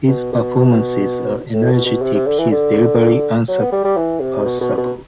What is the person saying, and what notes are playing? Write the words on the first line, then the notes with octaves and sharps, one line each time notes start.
His performances are energetic, his delivery unsurpassable.
B2
B2
A2
B2
B2
C3
C3
D3
E3
D3
F#3
B3
G3
G3
E3
C3
B2
B2
B2